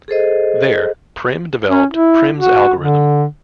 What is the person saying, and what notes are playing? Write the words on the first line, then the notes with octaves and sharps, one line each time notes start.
There, Prim developed Prim's algorithm.
G#4 A4 C5 D#5
C#4
E4
F#4
D3